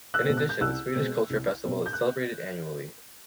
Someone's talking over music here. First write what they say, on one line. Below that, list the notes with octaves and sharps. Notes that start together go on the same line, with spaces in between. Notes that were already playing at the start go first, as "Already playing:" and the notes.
In addition, the Swedish culture festival is celebrated annually.
E6 F#6
B2 G#3 C4
F#6
G6
C2 E6 F#6
B2 G#3 C4
C2
B2 G#3 C4
G6
F#6